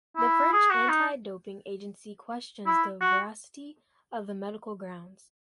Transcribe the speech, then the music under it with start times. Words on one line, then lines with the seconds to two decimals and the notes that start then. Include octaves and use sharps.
The French anti-doping agency questions the veracity of the medical grounds.
0.17 E4
0.53 G#4
0.71 F#4
0.89 D#4
2.67 E4
3.01 F#4